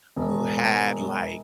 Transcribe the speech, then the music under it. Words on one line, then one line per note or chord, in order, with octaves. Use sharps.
who had, like,
E1